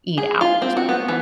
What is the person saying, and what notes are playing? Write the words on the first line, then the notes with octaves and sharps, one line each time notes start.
eat out."
G#4
F4
C4
F#4
B3
E3